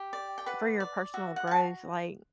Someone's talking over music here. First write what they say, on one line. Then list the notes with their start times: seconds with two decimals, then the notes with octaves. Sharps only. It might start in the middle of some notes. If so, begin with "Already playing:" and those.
for your personal growth, like
Already playing: G4 G5
0.13 D5
0.38 G5
0.46 B4 F#5
0.80 D5
1.14 F#4 E5
1.36 F#5
1.47 F#4 A5